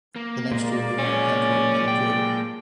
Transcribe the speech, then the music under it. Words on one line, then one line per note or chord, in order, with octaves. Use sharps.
The next year he won at Antwerp and Madrid.
A#3
A#2 G#3 D5
A#3 C#4 G#4
G5